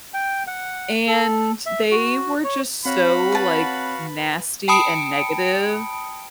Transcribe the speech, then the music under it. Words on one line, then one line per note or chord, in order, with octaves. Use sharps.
and they were just so, like, nasty and negative
G5
F#5
A4
E5
F#4
C#5
C4 F#4 C#5 F5 F#5 B5
B4 A5
G5 A5 B5 D#6 C#7 D7